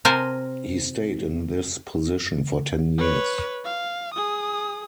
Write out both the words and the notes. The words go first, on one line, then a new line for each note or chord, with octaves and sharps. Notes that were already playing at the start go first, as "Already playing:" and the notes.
He stayed in this position for ten years.
C3 A#4 C5 G#5 A5
B4 C#5
F5
G#4 D#6